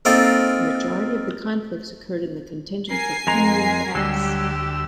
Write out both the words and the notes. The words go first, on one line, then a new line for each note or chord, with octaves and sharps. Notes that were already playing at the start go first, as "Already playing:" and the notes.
A majority of the conflicts occurred in the contention for Kunlun Pass.
A#3 C4 D#4 F4 A4
A#4 G#5 C7
F2 G#3 A#4 A#5
D2 F#3 G3 G4 E6